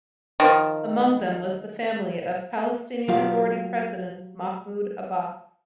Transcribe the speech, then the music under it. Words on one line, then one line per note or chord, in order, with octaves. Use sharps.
Among them was the family of Palestinian Authority President Mahmoud Abbas.
D#3 F3
F#3 F4 G4 F5